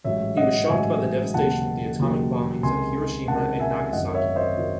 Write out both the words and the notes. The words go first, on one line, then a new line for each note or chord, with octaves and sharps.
He was shocked by the devastation of the atomic bombings of Hiroshima and Nagasaki.
A1 G#2 F#3 C#5 E5
D#5 F#5
A1 G#2 F#3 E5 G#5
E1 D#2 C#3 F#3 F#5 A5
E1 D#2 C#3 F#3
C#2 C3 D#3 G#5 C6
C#2 C3 D#3 F#5 A5
E5 G#5
G#1 F#2 D#3 F#3 D#5 F#5
C#5 E5
C5 D#5
D#3 F#3